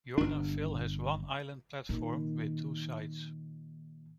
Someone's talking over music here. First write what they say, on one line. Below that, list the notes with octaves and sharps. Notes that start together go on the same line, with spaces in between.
Jordanville has one island platform with two sides.
G1 D4
A#2 D#3